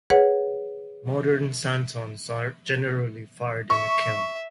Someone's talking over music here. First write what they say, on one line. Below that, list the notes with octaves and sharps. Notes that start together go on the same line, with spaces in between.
Modern "santons" are generally fired in a kiln.
G#4 B4 C#5 F#5
E5 C#6